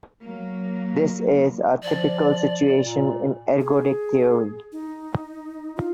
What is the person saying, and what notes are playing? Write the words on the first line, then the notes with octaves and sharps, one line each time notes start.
This is a typical situation in ergodic theory.
F#3 A#3
F3 D5
A#2
G#4
D#4
F4